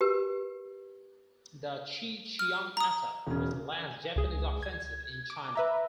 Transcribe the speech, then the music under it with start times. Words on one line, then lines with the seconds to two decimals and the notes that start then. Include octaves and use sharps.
The Chihchiang attack was the last Japanese offensive in China.
0.01 G4 A#4 B4
2.39 F6
2.77 A#5 D#6
3.27 E1 C#3
3.72 G#5
4.16 C#2 G#4
4.63 G#6
5.30 D6
5.55 B4 E5 A#5